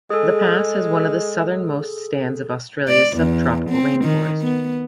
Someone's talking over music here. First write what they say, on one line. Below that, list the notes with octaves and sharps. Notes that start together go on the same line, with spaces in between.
The pass has one of the southernmost stands of Australia's sub tropical rainforest.
G#3 G#4 A4
D5
E2
C4
D#3
B3